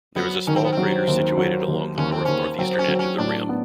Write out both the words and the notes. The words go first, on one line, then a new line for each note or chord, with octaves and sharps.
There is a small crater situated along the north-northeastern edge of the rim.
F#3 B3
D#3 C#4
C4
B3
F#3 C4
D#2
F#3
D#2
D#2 C#4
C4
D#2 C#4
F#3 C4
C#4
F#3
C4
C#4
A2 D4
B3